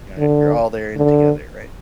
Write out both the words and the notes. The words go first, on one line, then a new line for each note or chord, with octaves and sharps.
ya you're all there in it together, right?
D3
D3